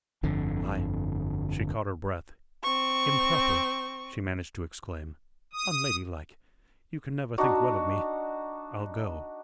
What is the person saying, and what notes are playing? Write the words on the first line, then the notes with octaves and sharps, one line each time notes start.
I--" she caught her breath--"improper"--she managed to exclaim, "unlady-like--you can never think well of me--I'll go.
G1 F2 D3
C4 C#6
D#6
D4 D#4 F#4